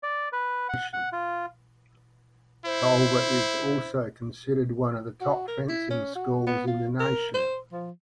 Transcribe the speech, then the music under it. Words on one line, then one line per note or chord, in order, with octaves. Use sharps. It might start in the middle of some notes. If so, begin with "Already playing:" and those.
Culver is also considered one of the top fencing schools in the nation.
D5
B4
F#5
F#5
F4
E4 C5
F#4
A#4
E4
C#4
F#4
B3
F4
A#4
C5
F3